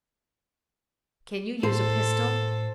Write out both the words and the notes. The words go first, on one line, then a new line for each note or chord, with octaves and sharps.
"Can you use a pistol?"
A2 A4 C5